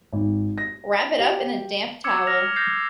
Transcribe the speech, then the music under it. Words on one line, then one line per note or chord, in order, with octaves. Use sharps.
Wrap it up in a damp towel.
G#1
A#6
G4
D6 E6 G#6 C#7
F6 A#6 F7
G6 A6 A#6 C7